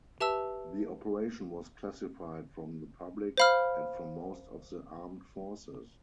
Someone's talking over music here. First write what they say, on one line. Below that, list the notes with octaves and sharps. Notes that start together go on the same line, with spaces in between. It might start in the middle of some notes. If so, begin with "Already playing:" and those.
The operation was classified from the public and from most of the armed forces.
G4 B4 E5 A5 E6
C5 F5 B5 F6